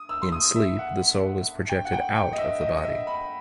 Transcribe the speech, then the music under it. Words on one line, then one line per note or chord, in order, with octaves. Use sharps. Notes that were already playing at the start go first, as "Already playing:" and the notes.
In sleep the soul is projected out of the body.
Already playing: D#6
E6
C6
D#6
E5
F#5
F#5
G5
F#5
G5
G5
D#5
E5
D#5
D#5
E5
B5